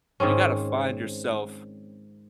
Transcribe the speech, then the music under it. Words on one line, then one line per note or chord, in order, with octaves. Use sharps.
You gotta find yourself
G#2 D#3 C4 C#4